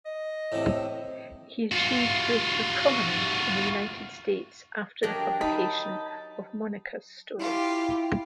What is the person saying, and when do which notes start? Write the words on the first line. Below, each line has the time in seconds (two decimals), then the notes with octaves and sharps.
He achieved greater prominence in the United States after the publication of "Monica's Story".
0.05 D#5
0.52 A2 C3
1.72 F4 F#4
5.03 F#3 D4 G4 A#4 D#5
5.41 D#4 A5 B5
7.38 E4 F4 G4